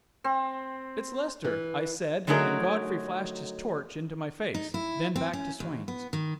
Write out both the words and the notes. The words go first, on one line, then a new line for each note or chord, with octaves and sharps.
"It's Lester," I said, and Godfrey flashed his torch into my face, then back to Swain's.
C4
E3
D3 F#3 A3 D#4 G#4 A#4
D#4
E4
C4
C#4
D#2
B3
D#3